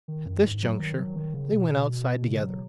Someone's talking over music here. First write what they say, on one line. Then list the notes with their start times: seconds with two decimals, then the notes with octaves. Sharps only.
At this juncture they went outside together.
0.08 D#3
0.26 F#2
0.44 G#2
0.63 F#3
0.79 D#3
0.99 F#3
1.16 D#3
1.34 C#3
1.52 B2
1.70 B2
2.24 C#3
2.42 F#3